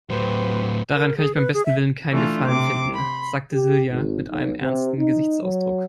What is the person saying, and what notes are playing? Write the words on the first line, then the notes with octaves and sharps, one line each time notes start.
"Daran kann ich beim besten Willen keinen Gefallen finden", sagte Silja mit einem ernsten Gesichtsausdruck.
A2 F#3 G4 B4 C5
A#4
G#4
B4
G#4
E5
E3 A3 D4 F4
C3 D6
B5 C6
G4
G#1
B1
C3
D#4
F#3